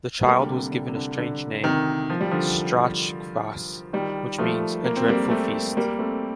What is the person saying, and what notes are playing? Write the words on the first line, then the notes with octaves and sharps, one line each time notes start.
The child was given a strange name: Strachkvas, which means "a dreadful feast".
A3
G3 A#3
D3
C3
D3
C3
D3
D3
C3 D#3
F3
G3
D3 F3
D#3 G3
F3 A3
A#3
C4
G3 A#3
A3 C4
G3 A#3
A3 C4